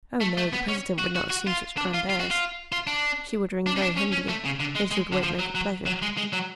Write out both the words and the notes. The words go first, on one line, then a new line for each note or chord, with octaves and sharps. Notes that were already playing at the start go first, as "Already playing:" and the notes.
Oh! no, the presidente would not assume such grand airs; she would ring very humbly, then she would wait my good pleasure.
A3
A3
B3
C#4
F#4
F#4
F#4
F4
D4
F4
F4
F#4
F4
F4
D4
D4
C#4
D4
C#4
C#4
A3
C#3
D3
G#3
G#3
D3
F3
F#3
F#3
F#3
G#3
G#3
F#3